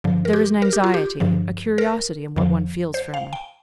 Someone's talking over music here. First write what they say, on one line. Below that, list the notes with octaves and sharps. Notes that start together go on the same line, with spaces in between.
There is an anxiety, a curiosity in what one feels for Emma.
G2 D3 F3
A#4
G4
A#4
G4
F4
G4
G2 D3 F3
A#4
F2 D3 F3
C5
F5
G5